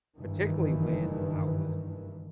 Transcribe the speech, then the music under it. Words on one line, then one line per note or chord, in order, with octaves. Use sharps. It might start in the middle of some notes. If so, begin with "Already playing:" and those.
particularly when I was
F#1 G2 D#3 E3